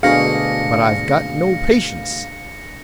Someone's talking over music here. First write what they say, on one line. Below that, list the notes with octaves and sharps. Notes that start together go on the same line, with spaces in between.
"But I've got no patience."
D2 B2 D4 G#4 F5 A#5 A#6 C#7